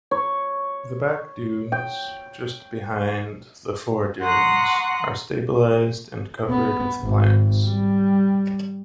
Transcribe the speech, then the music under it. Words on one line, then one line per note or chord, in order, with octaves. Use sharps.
The back dunes, just behind the fore dunes, are stabilized and covered with plants.
C#5
G5
F#5 A#5 C6 C#6 D#6 F#6
B3
G#1
G3